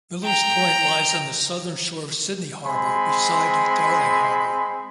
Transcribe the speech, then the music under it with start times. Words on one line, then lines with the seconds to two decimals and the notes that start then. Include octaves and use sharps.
Millers Point lies on the southern shore of Sydney Harbour, beside Darling Harbour.
0.25 G5 A#5
2.65 G#3 C4 G#5 B5 C6